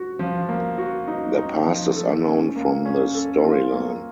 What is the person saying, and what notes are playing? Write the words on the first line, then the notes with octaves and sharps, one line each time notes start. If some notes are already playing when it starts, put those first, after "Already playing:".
Their past is unknown from the storyline.
Already playing: F#4
F3
A#3
F#4
D#4
D#4
F3
A4
C#4
A#3
C#4
A4
F4
A#3